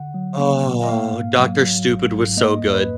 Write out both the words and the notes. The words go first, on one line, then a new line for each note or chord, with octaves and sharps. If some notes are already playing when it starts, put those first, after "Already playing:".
Oh, Doctor Stupid was so good.
Already playing: D3 F#5
F#3
A#3
A#2
D#5
A#3 F5
G#2
F#3
F#3
G#1
G#2
A#3 D#5
F2
B4